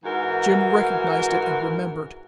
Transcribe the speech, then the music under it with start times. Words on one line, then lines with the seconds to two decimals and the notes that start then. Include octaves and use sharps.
Jim recognized it and remembered.
0.03 G#2 E3 F#4 A#4